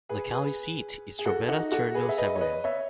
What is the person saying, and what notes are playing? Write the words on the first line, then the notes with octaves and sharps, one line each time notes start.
The county seat is Drobeta-Turnu Severin.
G#4 B4
G#4 B4
G#4
F#4 A4
D#4 F#4
F#4 A4
G#4 B4
E5
B4 D#5
C#5
B4 D#5
C#5 E5